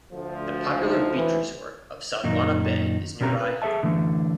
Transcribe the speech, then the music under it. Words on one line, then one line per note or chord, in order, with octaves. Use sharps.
The popular beach resort of Sodwana Bay is nearby.
D2 F3
D#4
E3
F#2 A#2 D#3 D#4
B2 C4 C#4 G4 A#5
B4
G#4 A4 D5 E5 A5
D3 E3 A3